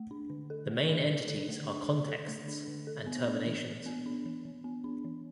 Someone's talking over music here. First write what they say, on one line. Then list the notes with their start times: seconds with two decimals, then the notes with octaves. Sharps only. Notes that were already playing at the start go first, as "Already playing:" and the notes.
The main entities are Contexts and Terminations.
Already playing: A3
0.11 D4
0.30 D3
0.50 A4
0.70 A3
0.89 D4
1.09 D3
1.29 A4
1.49 A3
1.68 D4
1.89 D3
2.08 A4
2.28 A3
2.48 D4
2.68 D3
2.87 A4
3.06 B3
3.27 D4
3.46 E3
3.66 E3
3.86 B3
4.06 D4
4.25 E3
4.45 E3
4.64 B3
4.84 D4
5.05 E3